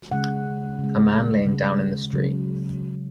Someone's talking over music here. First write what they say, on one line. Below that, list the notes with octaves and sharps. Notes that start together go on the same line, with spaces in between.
A man laying down in the street.
C#3 G#3 F#5
C#3 G#3
C#3 G#3
C#3 F#3